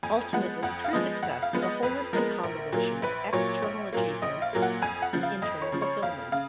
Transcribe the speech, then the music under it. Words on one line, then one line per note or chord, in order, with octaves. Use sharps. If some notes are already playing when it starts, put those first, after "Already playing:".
Ultimately, true success is a holistic combination of external achievements and internal fulfillment.
F2 G#5
F3 G#3 B3 F#5
F2 F#5
F5
F3 G#3 B3 D#5
F2 F#5
F5
F3 G#3 B3
D#5
F2 B4
F3 G#3 B3 A#4
A#1
A#2 F#3 A#3
A#1 B4
A#2 F#3 A#3 C#5
A#1
A#2 F#3 A#3
A#1 D#5
F5
A#2 F#3 A#3
F#5
F2 G#5
F#5
C#3 F3
F5
F2 D#5
C#5
C#3 F3
C#5
F2 F5
C#3 F5